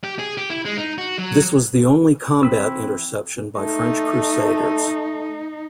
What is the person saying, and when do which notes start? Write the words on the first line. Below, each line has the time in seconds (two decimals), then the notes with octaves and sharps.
This was the only combat interception by French Crusaders.
0.04 G4
0.19 G#4
0.37 G4
0.50 E4
0.65 G#3
0.78 D#4
0.98 F#4
1.18 F#3
2.43 E3 C4 B5 E6
3.59 A3 D#4